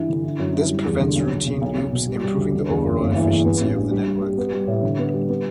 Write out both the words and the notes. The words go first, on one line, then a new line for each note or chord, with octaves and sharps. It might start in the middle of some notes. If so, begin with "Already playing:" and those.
This prevents routing loops, improving the overall efficiency of the network.
Already playing: G2 E3 E4
D3
E4
F#2
E4
G3
E2
D3
B1
B2
B1
B1
B1
B2
G3
G3
D2
D3
E2
F#1
G1
E3
E3
B3
A1
G2
G3
G3
G3
B3
G3
A2
D3
B3
G3
B3